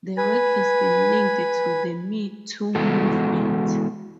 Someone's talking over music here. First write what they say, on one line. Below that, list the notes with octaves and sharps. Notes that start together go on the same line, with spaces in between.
The work has been linked to the Me Too movement.
B4 G#5
E3 G#3 B3 F#4 A4